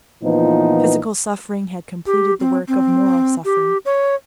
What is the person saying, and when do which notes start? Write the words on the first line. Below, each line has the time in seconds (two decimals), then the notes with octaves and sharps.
Physical suffering had completed the work of moral suffering.
0.23 A#2 E3 F3 B3 D#4
2.06 G4
2.40 C4
2.68 C4
3.45 G4
3.85 C#5